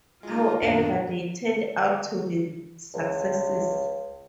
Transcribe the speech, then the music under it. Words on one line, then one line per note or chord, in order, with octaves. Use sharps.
However they turned out to be successes.
G#3 D#4 F4
F#2 A#2 D#3 B3 D4 A5
C#2